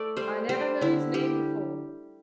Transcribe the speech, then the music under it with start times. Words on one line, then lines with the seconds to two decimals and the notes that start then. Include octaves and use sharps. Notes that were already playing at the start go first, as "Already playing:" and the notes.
'I never heard his name before.
Already playing: A3 D5
0.17 G3 C5
0.49 G3 C5
0.81 D3 E4
1.14 G3 G4